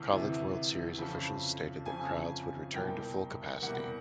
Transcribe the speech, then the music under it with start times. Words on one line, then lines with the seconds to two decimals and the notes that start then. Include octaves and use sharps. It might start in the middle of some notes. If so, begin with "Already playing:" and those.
College World Series officials stated that crowds would return to full capacity.
Already playing: D2 C3 E3
0.11 D2 C3 E3
0.98 F2 C#3 F3
1.86 F2 C#3 F3 G#5
2.74 C2 B2 G3 A#3 G5
3.62 C2 B2 G3 A#3 F#5